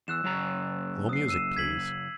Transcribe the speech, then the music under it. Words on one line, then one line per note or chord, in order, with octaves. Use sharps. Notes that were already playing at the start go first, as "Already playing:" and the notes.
Slow music, please.
E2 E6 F#6 E7
F#2 C#3 A#5
D#6 C7
E6 D#7 E7
G#6 B6 F#7